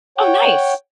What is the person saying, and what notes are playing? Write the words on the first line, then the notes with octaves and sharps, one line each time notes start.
Oh, nice.
C#5 F#5 G5